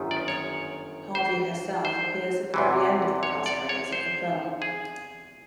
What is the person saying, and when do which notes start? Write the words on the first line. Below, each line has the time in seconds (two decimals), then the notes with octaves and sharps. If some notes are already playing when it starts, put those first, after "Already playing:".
Harvey herself appears at the very end of the cast credits of the film.
Already playing: G1 F#2 D#3
0.11 D5
0.28 C#5
1.15 C5
1.85 C5
2.54 E2 C3 E3
3.23 C#5
3.46 D5
3.69 C#5
3.93 C5
4.62 G#4